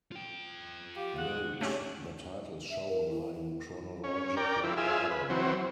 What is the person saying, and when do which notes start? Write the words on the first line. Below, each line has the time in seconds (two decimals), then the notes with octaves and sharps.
Note: The titles shown are in chronological order.
0.12 F4 G5
0.96 G4 F5
1.18 G#4 F#5
1.61 A3 C#4 D#4 G4 C#5 D5
2.70 E5
2.88 A#4
3.11 E4
3.34 E4
4.04 C#4
4.37 A#4 D5 G5
4.64 F3 E4
4.77 F4 G#4 E5
5.11 B4
5.30 E3 F#3 C4